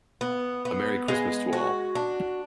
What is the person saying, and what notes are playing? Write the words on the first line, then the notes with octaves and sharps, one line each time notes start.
A Merry Christmas to all!
B3
B3
G#3
F#4
D4